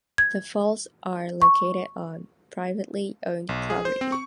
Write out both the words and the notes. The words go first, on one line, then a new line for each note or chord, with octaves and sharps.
The falls are located on privately owned property.
G#6
C#6
B1
G#4
C5
C4
C#6